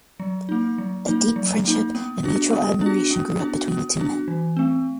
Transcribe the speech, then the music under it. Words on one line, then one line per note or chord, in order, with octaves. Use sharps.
A deep friendship and mutual admiration grew up between the two men.
F#3
A#3 D#4
F#3
A#3 D#4
F#3
A#3 D#4
B3
D4 F#4
B3
D4 F#4
B3
D4 F#4
B3
D4 F#4
E3
A3 C4